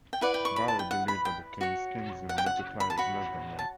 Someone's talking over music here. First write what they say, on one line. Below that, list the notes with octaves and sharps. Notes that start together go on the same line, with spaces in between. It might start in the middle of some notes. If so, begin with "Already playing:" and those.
Barro believes that the Keynesian multiplier is less than one.
G5
E4 B4 D5 F#5
G5
C#6
B5
A5
G5
F#5
B5
G5
F#4 C#5
F#5
G5
F#5
B5
A5
F#4 C#5 B5
A5